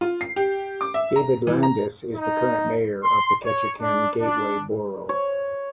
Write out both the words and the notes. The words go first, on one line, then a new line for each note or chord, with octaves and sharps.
Dave Landis is the current Mayor of the Ketchikan Gateway Borough.
F4
C7
G4
D6
E5
A#5
E3
A#5
D#4
C6
C#5
D4
D4
C#5